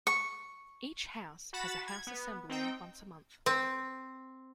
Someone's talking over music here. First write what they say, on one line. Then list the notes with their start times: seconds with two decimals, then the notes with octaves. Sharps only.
Each house has a house assembly once a month.
0.07 C#6
1.53 F#4 F#5 B5 A6 E7
1.88 G#6
2.07 B3
2.49 C4 D#4 G5
3.46 C4